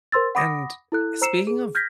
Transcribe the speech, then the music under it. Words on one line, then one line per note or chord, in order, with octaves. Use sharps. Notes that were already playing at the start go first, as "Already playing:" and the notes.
And speaking of,
A#4 C5 C6 E6 A6
F#5 B5 D6 D#6 A#6
E4 A4 F#6
C5 A#5 E6 C7 C#7 E7
G#4
F6 G6 G#6 A#6 B6